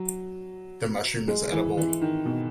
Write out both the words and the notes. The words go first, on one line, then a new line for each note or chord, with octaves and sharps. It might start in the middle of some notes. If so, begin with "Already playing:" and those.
The mushroom is edible.
Already playing: F#3
G#3
E3
E3
D#3
B2